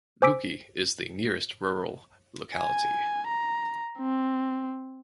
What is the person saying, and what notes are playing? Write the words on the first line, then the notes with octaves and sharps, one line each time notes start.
Luki is the nearest rural locality.
C5 G#5 D6 E6 B6 D7
G#5
A#5
C4